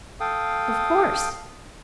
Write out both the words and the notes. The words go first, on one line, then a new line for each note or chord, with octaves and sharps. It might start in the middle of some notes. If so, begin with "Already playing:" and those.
Of course.
A4 F5 G5 D#6